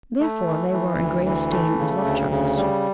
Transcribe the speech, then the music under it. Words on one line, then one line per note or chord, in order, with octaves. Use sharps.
Therefore they were in great esteem as love charms.
A3
E3
E3
D2
E3
A3
C#3
D2
C#3
G3